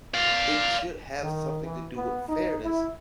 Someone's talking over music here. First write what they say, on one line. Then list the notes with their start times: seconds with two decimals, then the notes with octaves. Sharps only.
it should have something to do with fairness
0.14 D5 F5
1.22 D#3
1.63 E3
1.95 B3
2.27 D#4
2.62 E4